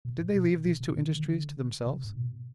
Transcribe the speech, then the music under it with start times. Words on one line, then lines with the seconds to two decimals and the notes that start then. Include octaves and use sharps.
Did they leave these two industries to themselves?
0.05 B2
0.20 G#2
0.35 B2
0.65 B2
0.80 C3
0.96 B2
1.05 D#3
1.16 D#3
1.26 D3
1.86 C3
2.05 G#2
2.17 B2